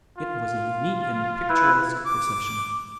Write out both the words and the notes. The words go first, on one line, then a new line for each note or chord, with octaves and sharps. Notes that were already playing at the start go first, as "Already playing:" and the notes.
It was a unique and picturesque procession.
F4
E4 B4
D6